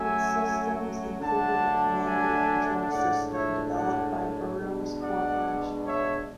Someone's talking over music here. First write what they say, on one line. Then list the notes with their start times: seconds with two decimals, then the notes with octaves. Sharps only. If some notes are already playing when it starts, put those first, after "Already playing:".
Its systems included a command and control system developed by Burroughs Corporation.
Already playing: F#3 A3 C#4 E5 G#5
1.20 D3 F#3 A3 D4 F#5 A5
2.05 E5 G#5
2.90 A2 G#3 D4 D5 F#5
3.32 C#5 E5
3.74 D5 F#5
4.60 B2 G#3 D4
5.01 D5 F#5
5.86 C#5 E5